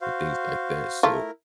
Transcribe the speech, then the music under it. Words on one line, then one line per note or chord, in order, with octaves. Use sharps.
and things like that. So,
F#4 C5 F5
A3 E4 F4 A#4